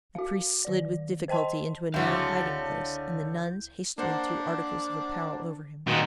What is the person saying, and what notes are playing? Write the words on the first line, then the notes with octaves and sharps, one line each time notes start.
The priest slid with difficulty into a narrow hiding-place, and the nuns hastily threw articles of apparel over him.
F#4 F5
D#3 D5
C5 D#5 G5 A5 C6
C#2 D3 A3 E4 F#4 C#5 F5 G6
A#3 D4 C5 F#5
A#2 D#3 F#4